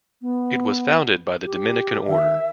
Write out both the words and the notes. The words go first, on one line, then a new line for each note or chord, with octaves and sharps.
It was founded by the Dominican Order.
B3
G4
D#3 E5